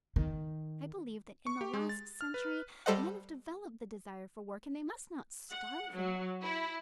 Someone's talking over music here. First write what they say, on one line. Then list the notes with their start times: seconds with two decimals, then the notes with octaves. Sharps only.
I believe that in the last century men have developed the desire for work, and they must not starve it.
0.16 D#3
1.47 C#6
1.61 G4
1.73 G#3
1.89 A6
2.21 F6
2.34 B4
2.86 G3 A4 C5 D#5 F#5
5.50 F#5
5.93 F#3
6.42 E4